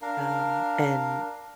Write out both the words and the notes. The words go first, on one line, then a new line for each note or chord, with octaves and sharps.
um, and
D4 A#4 F5